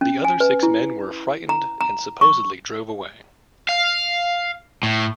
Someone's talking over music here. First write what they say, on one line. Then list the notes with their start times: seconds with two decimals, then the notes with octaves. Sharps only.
The other six men were frightened and supposedly drove away.
0.01 C#4
0.25 G#5
0.40 B4
0.63 E4
1.49 A#5
1.81 A#5
2.21 C#6
3.69 F5
4.83 A2